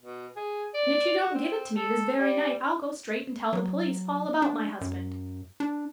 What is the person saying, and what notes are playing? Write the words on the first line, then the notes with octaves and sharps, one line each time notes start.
"And if you don't give it to me this very night I'll go straight and tell the police all about my husband."
B2
G#4
D5
F#4
C4
A4
G3
F#3
D4
F#2
D4